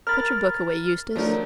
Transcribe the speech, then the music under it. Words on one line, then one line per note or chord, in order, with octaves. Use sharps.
Put your book away, Eustace.
A#4 B5 F6 A6
F3 F#3 A3 D4 A#4